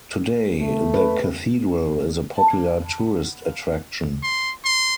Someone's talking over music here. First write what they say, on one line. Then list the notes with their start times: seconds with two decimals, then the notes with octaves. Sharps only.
Today, the cathedral is a popular tourist attraction.
0.59 A3
0.94 B4
2.35 A5
2.50 A#3
2.81 A2
2.98 B3
3.45 F5
4.23 C6
4.65 C6